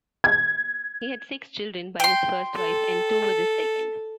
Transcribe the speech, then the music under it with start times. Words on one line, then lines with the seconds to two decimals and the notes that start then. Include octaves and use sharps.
He had six children by his first wife, and two with his second.
0.24 G#6
2.00 G5 C6
2.56 A4